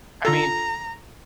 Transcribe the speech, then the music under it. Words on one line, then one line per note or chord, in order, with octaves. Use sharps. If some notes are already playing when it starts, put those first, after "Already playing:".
I mean,
D3 F4 A4 A#5